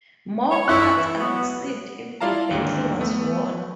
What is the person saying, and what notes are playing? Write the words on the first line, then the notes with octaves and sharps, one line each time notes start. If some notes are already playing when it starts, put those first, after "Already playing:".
More cards are received if the battle was won.
C#5
E4 C#6 F#6
E3
F#3 B3
E4 F4 D5 F5 A5 A#5
D#2 G#2 D3
A3 B3